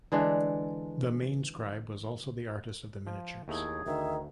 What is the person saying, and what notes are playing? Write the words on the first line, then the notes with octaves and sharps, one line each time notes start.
The main scribe was also the artist of the miniatures.
D3 E3 G#3 D4
F3
D#2 A3 E4 G#4
D2 D#3 E5